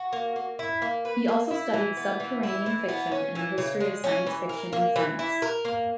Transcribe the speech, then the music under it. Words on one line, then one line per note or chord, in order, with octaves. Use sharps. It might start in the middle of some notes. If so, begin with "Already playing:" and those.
He also studied subterranean fiction and the history of science fiction in France.
Already playing: F#4
A#3
A#3
E4
A#3
B4
A#3
E4
E3
B3
E3
E4
E3
B3
C#4
E3
C#3
G#3
C#4
E3
A#4
A#3
E3
E4
A#4
A#3